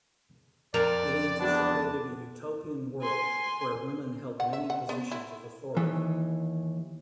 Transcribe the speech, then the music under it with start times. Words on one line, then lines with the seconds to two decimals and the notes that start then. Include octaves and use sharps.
It anticipated a utopian world where women held many positions of authority.
0.74 F2 A#4 D5
1.40 E2 B3 D4 A5
3.02 G#5 C6
4.40 F#5
4.53 E5
4.70 F#5
4.89 B3
5.12 E4
5.77 D#2 E3